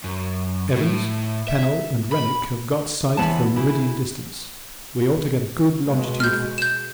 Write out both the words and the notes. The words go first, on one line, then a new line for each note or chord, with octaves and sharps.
Evans, Pennell, and Rennick have got sight for meridian distance; we ought to get a good longitude fix.
F#2
A2
E5
B5
E2 E3 B3 C5 C#5 A5
C#3 E4
B2 G#3
F6 G6
G6 E7